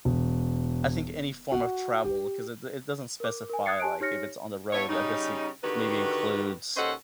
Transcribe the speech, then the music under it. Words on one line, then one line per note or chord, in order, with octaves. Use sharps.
I think any form of travel, 'cause it d it doesn't specify like if it's on the road, I guess it maybe includes,
E1
F#4
G4
A#4 D6
A#4 G#5
D#6 F#6 G#6 A6 C7 C#7
G4 G#5 A5 F#6 D7
D#4 G4 C#5 F6 A#6 C#7
B3 D4 E4 C#5
C#3 G3 C#4 D#4
D3 D#3 F#4 G4 B4
D#2 C#4 A4 C5 D#5 F#5